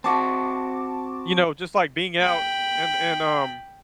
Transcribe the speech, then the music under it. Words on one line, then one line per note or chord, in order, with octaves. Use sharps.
you know, just, like, being out, and and, um
C4 F#4 A5 D6
G5 B5